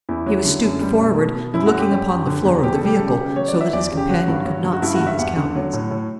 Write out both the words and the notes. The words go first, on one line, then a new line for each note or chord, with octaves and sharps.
He was stooped forward, and looking upon the floor of the vehicle, so that his companion could not see his countenance.
E2 E4
F#3
D3
F#2
G3
B2
B2
B2
F#2 E4
F#4
F#2
G4
F#3
F#2
D3
E2
B2 G4
A4
G3 G4
C#3 A4
G4
C#3
F#3 C#5
D5
F#3
E5
E2 D5
C#3
G4
F#3 F#4
G2
F#3
G2
F#4
G2 E4
F#4
G2
E5
E2 F#5
D3
F#3
A2
A2